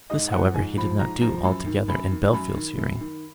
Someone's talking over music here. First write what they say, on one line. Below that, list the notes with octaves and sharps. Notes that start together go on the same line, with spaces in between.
This, however, he did not do altogether in Bellfield's hearing.
G#2 D#5
F3 F#5
G#2 G#5
F3 B5
G#2 A#5
F3 A#5
F#2 B5
D#3
F#2 B5
D#3
F#2 B5
D#3
F#2
D#3